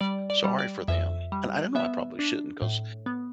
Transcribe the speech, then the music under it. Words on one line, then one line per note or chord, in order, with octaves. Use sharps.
sorry for them, and I don't know, I probably shouldn't 'cause,
G3 D5
D5
G3
D5
F2 E5
G3
B3 E5
D4
A2
B3